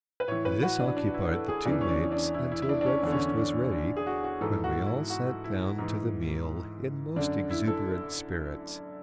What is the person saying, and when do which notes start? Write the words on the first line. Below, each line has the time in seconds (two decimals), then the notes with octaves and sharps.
This occupied the two mates until breakfast was ready, when we all sat down to the meal in most exuberant spirits.
0.20 B4
0.28 A2 E3 C#5
0.45 B4
0.63 F#4
0.79 D4
0.97 D4
1.14 E4
1.31 A4
1.48 G#4
1.66 E2 C#3 E3 D4
1.81 C#4
1.89 D4
2.12 D4
2.34 E4
2.51 E4
2.62 E4
2.69 D4
2.81 D4
2.86 C#4
3.03 E2 D4
3.07 D3 C#4
3.27 C#4
3.37 D4
3.72 D4
3.97 G#4
4.06 F#4
4.24 F#4
4.41 G#2 E3 A4
4.64 F#4
4.86 E4
5.10 F#4
5.44 E4
5.78 G#2 E3
7.16 F#2 D3 D4
7.51 E4
7.67 A4